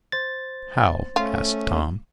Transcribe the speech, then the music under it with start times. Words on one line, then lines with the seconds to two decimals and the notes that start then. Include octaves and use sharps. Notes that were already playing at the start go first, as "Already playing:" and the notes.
"How?" asked Tom.
0.12 C5 A6
1.16 A3 C#4 F4